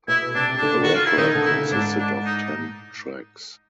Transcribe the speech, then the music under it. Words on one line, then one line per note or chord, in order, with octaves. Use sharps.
The record consisted of ten tracks.
B2 E4
C3 D4
D4
D3
D#3 F#4
F4
E4
D#3 D#4
D3
E4
C#3
G#2 D4
D4
D#4